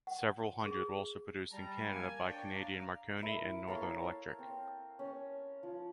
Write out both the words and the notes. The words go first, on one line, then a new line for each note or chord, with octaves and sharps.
Several hundred were also produced in Canada by Canadian Marconi and Northern Electric.
F#5
G#4
G3 A5 A#5
A#3 G#5
D4 C#5 D5 G5
F5 A#5
E4 A#4
A4 A#4 C#5 F5
C4
C#4
F3